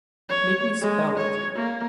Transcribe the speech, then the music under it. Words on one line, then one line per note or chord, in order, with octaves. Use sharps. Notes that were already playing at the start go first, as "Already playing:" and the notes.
Make me spell with you.
C#5
G#3
C#5
A#3